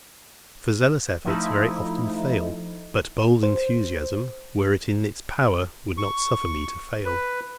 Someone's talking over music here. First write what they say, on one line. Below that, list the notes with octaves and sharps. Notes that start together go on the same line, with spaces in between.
For zealous efforts very often fail: but bold enthusiasm, were it in its power, would not suffer me to fail.
F3 A3 D#4 E4
C5
C#6
B4